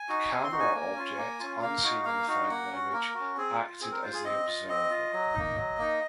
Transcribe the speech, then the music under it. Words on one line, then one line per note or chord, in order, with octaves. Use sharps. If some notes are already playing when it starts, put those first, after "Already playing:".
A "camera object" unseen in the final image acted as the observer.
Already playing: G#5
D#4 F#4
C4 G#5
C6
D#4 F#4
G#5
A#3
C#4 F4
A#3
C#4 F4
A#3 F5
D#4 F#4
A#3 F5
D#4 F#4
A#3 F#5
C#4 F#4
A#3 A#4
C#4 F#4
C4 G#4
F4
C4 G#4
A#4
F4 C5
G#4
C4 D#5
F4
C4 D#5
F4
F#3
A#3 D#4
F#3
A#3 D#4